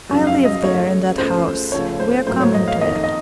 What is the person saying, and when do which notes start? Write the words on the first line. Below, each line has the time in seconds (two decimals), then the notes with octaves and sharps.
I live there in that house, we are coming to it.
0.10 F#2 C#3 F3
0.27 F5
0.45 D#5
0.63 F#2 C#3 A3 C#5
1.18 C#2 C#3 A3 C5
1.72 C#2 C#3 F3 A3 C#5
2.00 C5
2.27 A2 F#3 A#3 C5
2.40 C#5
2.54 D#5
2.68 F5
2.81 F2 D#3 A#3 D#5
3.04 D#5